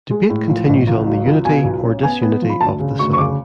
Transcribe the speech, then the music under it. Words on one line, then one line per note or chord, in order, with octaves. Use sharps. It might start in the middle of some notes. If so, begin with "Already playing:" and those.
Debate continues on the unity or disunity of the Song.
G#3
A2
F3
A1
C#2
F#3
C#2
B2 G#5
B1
C#4
B3 G#5
B3
F3
B5
D2 A5
C#3
D2 C#6
C#6
C#3 D6